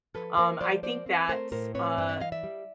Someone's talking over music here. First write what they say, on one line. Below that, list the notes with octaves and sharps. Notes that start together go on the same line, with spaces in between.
Um, I think that's uh,
F3 A4 B4
A#3 A#4 C5
F3 C5 D5
A#3 C5 D5
C4
A3 A#4 C5
A2 A#4 C5
C4 B4 C#5
G2 C5 D5
D5 E5
E3 D#5 F5
D5 E5
G3